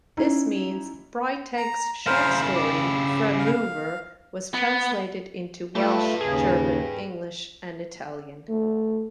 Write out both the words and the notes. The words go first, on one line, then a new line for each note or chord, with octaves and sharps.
This means Breiteig's short story "Fremover" was translated into Welsh, German, English and Italian.
C#4 D#4 E4
A#5
C#3 E4 A#4 C5 F5
G4
F5
B3
A3 F4 G4 B4
D#2 C#3 G#4
A3